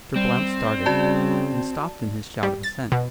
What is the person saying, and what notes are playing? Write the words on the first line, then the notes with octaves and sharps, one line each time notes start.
Mr. Blount started, and stopped in his shout of assent.
G3 C4
C#3 F#4 D5 A5
G3
A6
B2